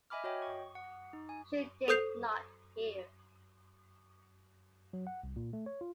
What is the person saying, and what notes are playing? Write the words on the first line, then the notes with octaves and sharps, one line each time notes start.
She did not hear.
D#5 E5 G#5 B5 D6 F6
F#4 C#5 D#5 G5
C#6
F#5
D#4
G#5
A4 C5 D#6 G6 C7 F7
F#3
F#5
C2
A#2
A3
C#5
F4